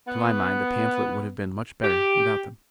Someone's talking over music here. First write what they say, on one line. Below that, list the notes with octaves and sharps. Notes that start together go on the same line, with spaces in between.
To my mind, the pamphlet would have been much better without them.
B3
G4